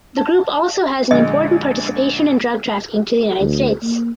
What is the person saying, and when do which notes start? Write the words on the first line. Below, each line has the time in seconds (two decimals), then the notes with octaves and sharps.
The group also has an important participation in drug trafficking to the United States.
0.17 A5
1.11 A#1 D3 G#3 D#5
3.40 D2
3.83 A#3